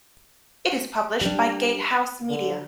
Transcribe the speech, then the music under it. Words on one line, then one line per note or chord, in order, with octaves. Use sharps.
It is published by GateHouse Media.
G3 D4
D3